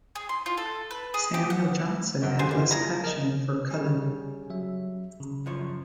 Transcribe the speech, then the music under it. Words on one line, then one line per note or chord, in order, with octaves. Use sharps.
Samuel Johnson had less passion for Cullen.
G#4
C6
F4
A4
B4
G#4
G4
F#5
A#1 F#2
G4 G#4 C5
E3 G3 A#3
F3 E4 G#4 A#5
A#4 D#5
C#3 G3 G#5
F#3 E5
C#3
F#2 F3 C#5